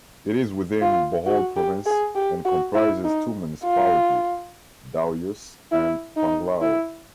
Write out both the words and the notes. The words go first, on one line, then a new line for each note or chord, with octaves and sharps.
It is within Bohol Province, and comprises two municipalities: Dauis and Panglao.
F4
F#4
G4
G#4
G4
F#4
E4
D#4
F4
E4
D#4
E4